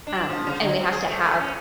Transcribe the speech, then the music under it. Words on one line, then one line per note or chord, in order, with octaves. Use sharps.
um, and we have to have
D4
F3
C#3
D3
C4
G#4
A3
A3
C#4